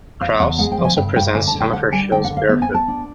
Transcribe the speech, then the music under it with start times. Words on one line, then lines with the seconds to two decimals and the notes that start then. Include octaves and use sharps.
Kraus also presents some of her shows barefoot.
0.20 E2 F5
0.40 E2 F#5
0.59 G#3 F#5
0.72 G5
0.78 F3
0.85 G#5
0.97 G2 G5
1.16 G2 G5
1.35 D3 G#5
1.47 A5
1.55 D3
1.60 G5
1.73 D3 F#5
1.92 G3 G#5
2.11 D3 G5
2.24 F#5
2.30 D3
2.37 F5
2.49 B3 E5
2.62 G#5
2.69 B3
2.74 A5
2.88 D4